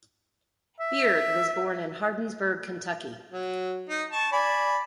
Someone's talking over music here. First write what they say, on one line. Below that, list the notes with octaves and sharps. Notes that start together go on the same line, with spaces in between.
Beard was born in Hardinsburg, Kentucky.
E5
F#3
D#4
A5 C#6
D5 G#5 B5